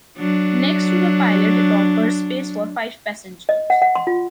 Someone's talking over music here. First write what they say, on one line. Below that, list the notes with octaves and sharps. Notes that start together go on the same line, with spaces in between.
Next to the pilot it offers space for five passengers.
F#3 D4
D#5
F#5
F#5
C6
F4